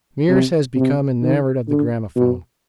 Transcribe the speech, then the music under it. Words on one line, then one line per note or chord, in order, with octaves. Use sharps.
Meares has become enamoured of the gramophone.
C3
C3
D#3
D3
B2